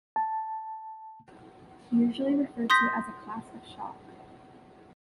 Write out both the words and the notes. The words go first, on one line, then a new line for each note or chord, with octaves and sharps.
Usually referred to as a "class" of shock.
A5
C6 D#6 G6 A#6 B6